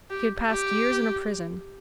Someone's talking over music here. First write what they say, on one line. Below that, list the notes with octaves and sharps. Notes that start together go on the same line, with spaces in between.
He had passed years in a prison.
G4
G4